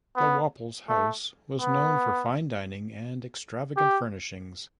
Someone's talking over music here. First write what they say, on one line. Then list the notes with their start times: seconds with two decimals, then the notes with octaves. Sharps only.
The Waples House was known for fine dining and extravagant furnishings.
0.16 B3
0.89 A3
1.60 B3
3.76 G4